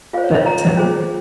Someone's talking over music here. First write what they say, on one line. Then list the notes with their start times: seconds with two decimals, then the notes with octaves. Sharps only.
But, um
0.13 F4 C5 F5
0.24 C#5
0.36 C#5
0.46 A#5
0.77 C#4 F4 G#4 C5